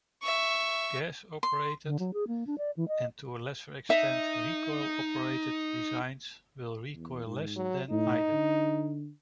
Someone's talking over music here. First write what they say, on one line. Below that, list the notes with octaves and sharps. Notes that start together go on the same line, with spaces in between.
Gas-operated, and to a lesser extent recoil-operated, designs will recoil less than either.
E5 C#6
C6
D3
F#3
G#4
A#3
D4
D5
E3
D#5
D#4 E5
E2
G#2
F#3
A2 D#4
D3